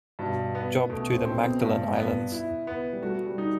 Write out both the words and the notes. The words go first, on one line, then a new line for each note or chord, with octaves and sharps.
Job to the Magdalen Islands.
G2 B2
B3
B2 A3
C4
C4
B3
G2
B3
E4
B3
G3
A3 F#4
G3
D#4